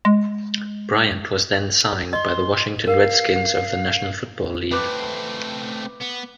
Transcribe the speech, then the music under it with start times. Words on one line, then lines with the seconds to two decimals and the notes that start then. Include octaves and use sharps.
Bryant was then signed by the Washington Redskins of the National Football League.
0.05 G#3
2.13 D#5 C6
2.87 A#4 F5
4.71 A3 C4 B4 D6 F#6
6.01 B3